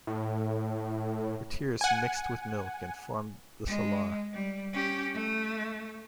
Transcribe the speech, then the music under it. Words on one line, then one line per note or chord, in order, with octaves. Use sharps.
Her tears mixed with milk and formed the Salar.
A2
F#5 G#5
G#3
G3
C#4 G4
A3